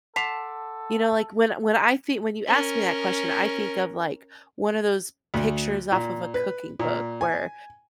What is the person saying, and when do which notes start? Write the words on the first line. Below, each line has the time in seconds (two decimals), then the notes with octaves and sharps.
you know, like when when I thi when you ask me that question, I think of, like, one of those pictures off of a cooking book where,
0.16 A4 F#5 A5 C6 D6 B6 C7 F7
2.47 C#4 A#4
5.34 D2
5.92 A#2
6.34 B4
6.79 A#2
7.21 G#5